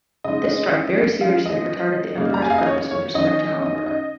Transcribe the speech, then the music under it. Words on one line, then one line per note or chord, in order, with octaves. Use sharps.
This strife very seriously retarded the emperor's purpose with respect to Hamburg.
C#3 G#3 D#4 D#5
F3 G#3 C#4 F5
D#5
C#3 A#3 D#4
A#5
G#5
F5
D#5
C#5
C#5
D#3 C#4 D#5
D#5
D#5